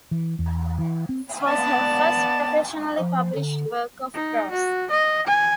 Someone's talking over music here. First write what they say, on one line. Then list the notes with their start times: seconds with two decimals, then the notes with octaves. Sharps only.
This was her first professionally published work of prose.
0.11 E3
0.39 E2
0.79 E3
1.09 C4
1.47 B3 D5 A5
2.99 F3
3.35 D3
4.13 D#4
4.51 F#4
4.90 D#5
5.27 G#5